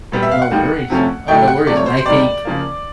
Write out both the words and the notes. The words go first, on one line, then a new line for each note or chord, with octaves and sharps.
no worries. Oh, no worries. And I think
A#2 G3 B3
E5
F5
F#5
D#2 D#3 G3 A#3 D#4
F2 C3 F3 A3 C#4
A2 F#3 A3 G5
F#5
C3 F3 A3 D5
C#5
C5
C5
C#2 C3 D#3 G3 D5
C#3 F3 A#3